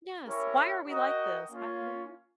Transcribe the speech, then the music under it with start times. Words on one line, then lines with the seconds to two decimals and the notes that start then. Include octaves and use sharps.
Yes, why are we like this? I you know
0.24 C#4 E4 G4 A#4 C#5
0.87 F#4 A#4 D#5 G5
1.51 A#3 C#4 F4